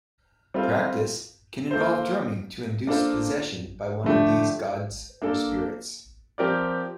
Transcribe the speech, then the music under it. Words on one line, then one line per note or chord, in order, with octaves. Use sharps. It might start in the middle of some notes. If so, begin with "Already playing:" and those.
Practice can involve drumming to induce possession by one of these gods or spirits.
G3 C4 F4 A4
A#3 F4 A4 C5
A#3 D4 F4 A4 C5
D3 F3 A3 D4 G4
A#3 D4 A4
F3 C4 G4 A#4 D5